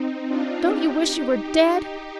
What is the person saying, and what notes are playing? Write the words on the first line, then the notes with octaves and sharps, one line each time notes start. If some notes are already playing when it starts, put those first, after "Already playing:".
Don't you wish you were dead?
Already playing: C4 D#4
D4 F4
D#4 G4
D#4 G4